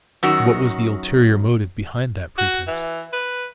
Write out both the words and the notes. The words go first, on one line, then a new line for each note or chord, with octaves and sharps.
What was the ulterior motive behind that pretence?
F#2 D#3 F#4
F#4
E3
B4